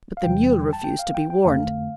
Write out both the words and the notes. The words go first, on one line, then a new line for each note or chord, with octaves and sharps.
But the mule refused to be warned.
F5
E2 C3 E3 G3 G5
A5
G5
F5
G5
G5
F2 D3 A3 F5